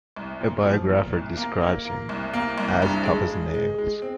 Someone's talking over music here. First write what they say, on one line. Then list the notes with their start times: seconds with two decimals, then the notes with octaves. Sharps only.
A biographer describes him as tough as nails.
0.16 C2
0.41 A#2
0.65 F3
0.89 A#2
1.13 C2
1.37 A#3
1.61 A#3
1.85 A#3
2.09 C2
2.33 A#3
2.58 C2
2.82 G2
3.05 G#3
3.30 G#3
3.54 G#3
3.78 G#3
4.02 C4